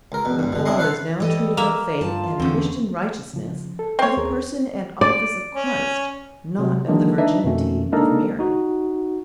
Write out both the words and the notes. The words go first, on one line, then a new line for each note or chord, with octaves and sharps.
But Paul is now treating of faith and Christian righteousness, of the person and office of Christ, not of the virginity of Mary.
C#2 A#4
E2 B2
C#2 G2
B2 D3
C3 D4 E4 C#5 D#5 C6
A4 B4 C5 F5 F#5
E3 G3 A4 D#5
A#3 E5
G2 F4 A5
E2 D3 C4 C#4
C#3 F3
A4
C4 C#5
D#2 G#4 A#4
D5
C#4
C3 F#3
D#3 E3 F#3 G#3 A#3 D4
D4 D#4 B4 D#5 E5
F2 B2 D#3 A3 C#4
G#3 A#3 D4 D#4 A4 A#4
D#4 F#4